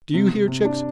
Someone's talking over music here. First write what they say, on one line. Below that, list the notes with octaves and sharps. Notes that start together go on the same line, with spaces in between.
Do you hear, chicks?
C3
C3
C3
D4